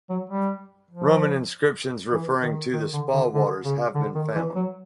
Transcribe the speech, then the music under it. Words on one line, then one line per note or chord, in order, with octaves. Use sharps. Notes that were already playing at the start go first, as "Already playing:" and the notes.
Roman inscriptions referring to the spa waters have been found.
F#3
G3
F3
E3
D#3
D#3
D3
D3
D3
C#3
D3
D#3
E3
F#3